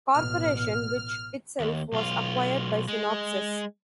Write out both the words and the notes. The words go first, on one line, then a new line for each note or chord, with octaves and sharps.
Corporation, which itself was acquired by Synopsys.
A1 B2 F6
D#2
B1 F4
G#3